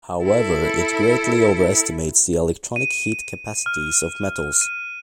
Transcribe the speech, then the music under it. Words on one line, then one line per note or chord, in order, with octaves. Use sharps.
However, it greatly overestimates the electronic heat capacities of metals.
E4 A4
D#7
F6
D#7